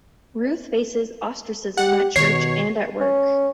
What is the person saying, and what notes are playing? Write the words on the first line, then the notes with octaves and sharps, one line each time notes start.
Ruth faces ostracism at church and at work.
G4 F#5
B2 D#3 C#5 C7
C#4